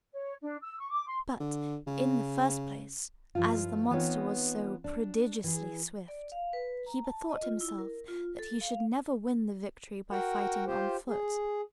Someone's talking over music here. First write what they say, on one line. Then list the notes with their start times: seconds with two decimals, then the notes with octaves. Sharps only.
But, in the first place, as the monster was so prodigiously swift, he bethought himself that he should never win the victory by fighting on foot.
0.11 C#5
0.40 D4
0.60 E6
0.78 C#6
0.91 D6
1.07 C6
1.40 D3
1.87 C#3
3.35 G2 F3 E4 F4
3.91 E3 B3 C4 D#4 F4 C#5
4.84 D4
5.44 E3 G#4
6.08 D5
6.32 F5
6.53 B4
6.86 A#5
7.04 A5
7.29 D#5
7.43 F4
7.61 E4
7.79 A#4
8.08 F4
8.39 A4
8.61 F5
10.12 F#4 A#4 F#5 G5
10.67 F4 G4 C5
11.09 G#4